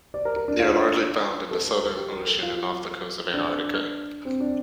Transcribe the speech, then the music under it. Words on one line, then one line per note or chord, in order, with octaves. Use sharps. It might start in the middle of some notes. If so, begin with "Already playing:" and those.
They are largely found in the Southern Ocean and off the coast of Antarctica.
D5
A#4
A#4
D4
F4
A4
A4
A#4
G4
A#4
A4
F4
D4
C4
D4